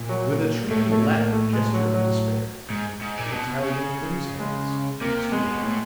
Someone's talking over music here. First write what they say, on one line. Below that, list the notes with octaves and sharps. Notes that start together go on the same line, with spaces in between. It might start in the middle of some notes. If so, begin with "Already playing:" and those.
With a truly Latin gesture of despair, the Italian put his hands to his forehead.
Already playing: A#2
F#3
A2 A3
A3
A#3
A3
G#3
F#3
F#3
G#2
G#2
A#2
B2
B2
C#3
G#3
C3 A#3
B2 G#3
A2